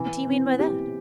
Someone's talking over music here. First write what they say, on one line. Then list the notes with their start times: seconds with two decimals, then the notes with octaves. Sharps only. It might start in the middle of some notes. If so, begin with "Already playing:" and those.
"What do you mean by that?"
Already playing: E3
0.27 C4
0.59 G4